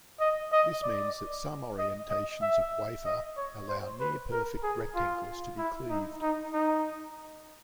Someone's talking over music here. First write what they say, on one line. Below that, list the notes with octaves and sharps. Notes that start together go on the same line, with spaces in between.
This means that some orientations of wafer allow near-perfect rectangles to be cleaved.
D#5
D#5
D5
D#5
D#5
E5
D#5
C#5
C5
B4
A#4
G#4
F4
E4
D#4
D#4
D#4